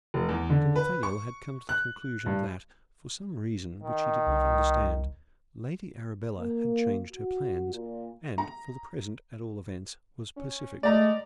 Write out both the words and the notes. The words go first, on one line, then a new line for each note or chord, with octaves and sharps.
Sir Nathaniel had come to the conclusion that, for some reason which he did not understand, Lady Arabella had changed her plans, and, for the present at all events, was pacific.
F1
E2
D3
B4
C#6
F#6
G2
D#3
C2
A#3
F#4
A#2
A#5
C#4
G#3 A3 D5 A#5